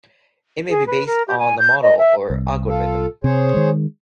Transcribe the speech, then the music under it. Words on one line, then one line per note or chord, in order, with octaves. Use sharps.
It may be based on a model or algorithm.
G#4
B4
A#4
G4
G#5
G6
D#5
E5
C2
F4 A4
C3 G#4 C5 C#5
D#3 G#3